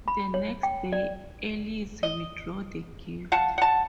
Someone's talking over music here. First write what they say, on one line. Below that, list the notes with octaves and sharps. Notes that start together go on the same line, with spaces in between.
The next day Ailes withdrew the gift.
B5
C#5
G5
D5
D#5
F5 F#5 A5
F#5 A5